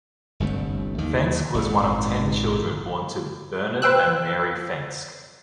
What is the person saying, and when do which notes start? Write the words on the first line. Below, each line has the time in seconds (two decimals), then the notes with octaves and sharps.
Fenske was one of ten children born to Bernard and Mary Fenske.
0.40 G1 C2 G2 A3
0.98 D#2 D#3
1.54 G#1 F#2 A#2
3.82 B4 C5 G5 E6 F#6